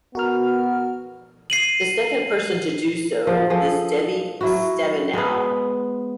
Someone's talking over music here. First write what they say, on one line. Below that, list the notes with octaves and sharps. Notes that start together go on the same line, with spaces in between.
The second person to do so is Debbie Stabenow.
B3 F#4 A#4 F6
C7 D#7 F#7
F3 F5
F3 G#4 A4
F#3 E4 F#4
G#3 B3